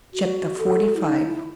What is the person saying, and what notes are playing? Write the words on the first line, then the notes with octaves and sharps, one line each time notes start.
Chapter XLV.
F#4
A4
E4
D#4
E4